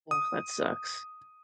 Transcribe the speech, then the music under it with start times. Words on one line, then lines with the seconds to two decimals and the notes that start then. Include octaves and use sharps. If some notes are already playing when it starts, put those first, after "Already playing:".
Ugh, that sucks,
0.11 D#6